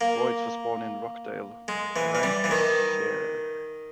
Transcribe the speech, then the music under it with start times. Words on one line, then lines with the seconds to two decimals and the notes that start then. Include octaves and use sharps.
Royds was born in Rochdale, Lancashire.
0.01 A#3
1.68 G#3
1.96 E3
2.15 E3
2.23 G3
2.44 E3
2.51 D#3